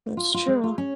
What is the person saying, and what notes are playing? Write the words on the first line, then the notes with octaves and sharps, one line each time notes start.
that's true.
F4
F4
G#3
F4
C#4